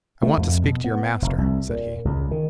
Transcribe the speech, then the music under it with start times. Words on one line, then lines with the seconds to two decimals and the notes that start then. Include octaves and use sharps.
'I want to speak to your master,' said he.
0.23 A3
0.37 F2
0.63 B2
0.84 B3
1.22 F1
1.38 C2
1.69 A#2
2.05 C#2
2.31 D#3